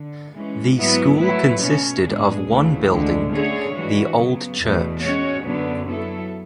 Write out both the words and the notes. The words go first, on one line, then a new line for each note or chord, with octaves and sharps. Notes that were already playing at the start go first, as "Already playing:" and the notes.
The school consisted of one building, the old church.
Already playing: D3
E3 G#3 C#4
G#2 F#3 B3 E4
F#3 A3 E4 B4
B2 A3 C#4
A2 G#3 B3 D4 G#4
D2 C#3 E3 A3
D2 D3 G#3
D3 A3 C#4 G#4 C#5
E3 G#3 D4 F#4
C#3 F#3 B3
E2 B2 A3
G#3 C#4 F#4 C#5
F#2 D3 F#3 B3 D4
F#3 B3 E4 A4